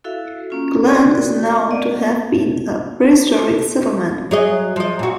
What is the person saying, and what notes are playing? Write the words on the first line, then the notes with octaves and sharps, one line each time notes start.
Gland is known to have been a prehistoric settlement.
E4 F#4 A4 E5 F5
A#3 C#4 F4
D#4 F#4 A4 D5 D#5
A3 A#4
D5 D#5 F#5
F#3 G#4 D#5
F3 D#5
A#2 F#4